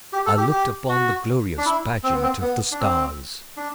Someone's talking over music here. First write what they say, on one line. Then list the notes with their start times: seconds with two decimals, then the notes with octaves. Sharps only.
I looked upon the glorious pageant of the stars.
0.13 G4
0.26 A4
0.38 G4
0.51 G4
0.89 F#4
1.58 D4
1.66 E4
2.03 C4
2.13 B3
2.22 C4
2.42 B3
2.72 D4
2.80 C4
3.57 D4